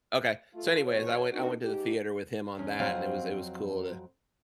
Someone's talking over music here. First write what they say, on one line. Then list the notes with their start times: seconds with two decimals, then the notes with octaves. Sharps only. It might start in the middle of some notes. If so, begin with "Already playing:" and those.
okay. So, anyways, I went I went to the theater with him on that, and it was it was cool to
0.54 A3 F4
0.85 E2 B2 C#5
1.31 A#3 C4 D4 D#4 F#4
1.63 G#2 D#4 G4
2.58 E2 C#4
2.80 F2 F#3 C4 C#5 F5